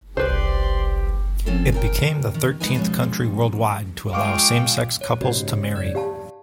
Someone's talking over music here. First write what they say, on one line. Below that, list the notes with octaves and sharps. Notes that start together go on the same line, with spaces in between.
It became the thirteenth country worldwide to allow same-sex couples to marry.
C2 G4 B4 C5 D5 C6
F3 C4 C#4 F4 A4
C#3 A#4 G5
D#3
D3 G#3 D#4 B4 G#5
B2 F3 G#3 C#4 D#4
G#3 F4 F5 G5 C#6 D6
C#5
G#2 C#3 F#4 G4 D#5
D5 G#6
G4 F5 A5